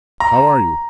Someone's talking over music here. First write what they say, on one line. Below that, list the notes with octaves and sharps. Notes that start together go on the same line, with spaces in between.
"How are you?"
A#5